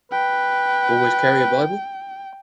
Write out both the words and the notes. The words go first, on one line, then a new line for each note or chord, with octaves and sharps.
Always carry a bible?
B4 G5